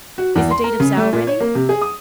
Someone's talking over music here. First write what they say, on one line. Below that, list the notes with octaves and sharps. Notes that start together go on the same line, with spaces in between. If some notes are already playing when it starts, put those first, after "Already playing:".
"Is the deed of sale ready?"
F#4
E2
C6
A#4
C#3
A3
A#2
C#5
A#3
C3
G#4
D#6